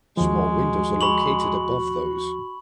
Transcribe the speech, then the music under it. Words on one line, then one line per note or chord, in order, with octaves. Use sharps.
Small windows are located above those.
D#2 F3 G#3 F#4
B5 C#6 F#7